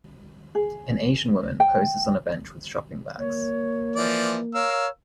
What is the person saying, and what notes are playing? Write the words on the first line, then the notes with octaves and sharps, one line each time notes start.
An Asian woman poses on a bench with shopping bags.
G#4
G5
A#3 C#5
E3 F3 D5
A#4 C#5 F5 E6